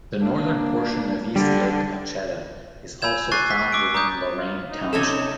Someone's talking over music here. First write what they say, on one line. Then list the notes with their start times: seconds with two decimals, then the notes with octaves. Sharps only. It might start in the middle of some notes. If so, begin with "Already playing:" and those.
The northern portion of East Lake Ocheda is also found within Lorain Township.
0.20 A#3 D4
1.36 D3 G3
3.02 G#5 B5 E6 G6 G#6 E7
3.32 C#6 D6 F#6 A6 C7 D#7
3.51 B6
3.72 C#6 D6 E6 D7
3.94 A#5 D6 D#6 G6
4.37 F4
4.71 D#4
4.93 C3 C#4 A4